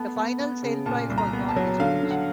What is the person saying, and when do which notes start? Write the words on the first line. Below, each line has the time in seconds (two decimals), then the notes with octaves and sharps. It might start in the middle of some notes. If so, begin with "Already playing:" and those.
The final sale price was not disclosed.
Already playing: A3 B3 A5
0.16 B3
0.40 B3
0.63 C#3
0.86 A#2 A5
1.10 C2
1.18 A#5
1.33 B3
1.49 A5
1.56 F#3
1.80 D3 F5
2.03 D3
2.11 F#5